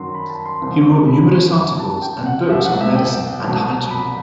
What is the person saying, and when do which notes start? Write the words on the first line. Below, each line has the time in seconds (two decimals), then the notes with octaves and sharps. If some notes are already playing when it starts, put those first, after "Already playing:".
He wrote numerous articles and books on medicine and hygiene.
Already playing: F#2 D#3 F#3 C6
0.15 B5
0.29 A5
0.45 C6
0.62 C2 C3 E3
1.08 B5
1.55 F#2 F#3
1.79 A5
2.02 G5
2.26 F#5
2.49 C2 B2 F#3 E5
2.65 F#5
2.81 E5
2.96 G5
3.43 C2 B2 F#3 A5
3.91 B5